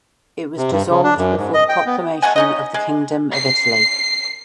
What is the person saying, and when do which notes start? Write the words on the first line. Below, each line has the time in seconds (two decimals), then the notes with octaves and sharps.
It was dissolved before the proclamation of the Kingdom of Italy.
0.57 C3
0.71 G2
0.90 C#3
1.04 D4
1.18 F#2
1.37 G#2
1.54 D#5
1.69 G5
1.86 B3
2.22 G#3 A3 F#5 G#5
2.36 C#4 D#4 D#5
2.74 G#3
3.34 C7